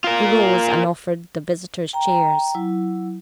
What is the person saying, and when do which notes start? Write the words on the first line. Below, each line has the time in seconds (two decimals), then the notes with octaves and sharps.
He rose and offered the visitors chairs.
0.04 F4 A#4
1.93 G5 A#5
2.55 F#3 E4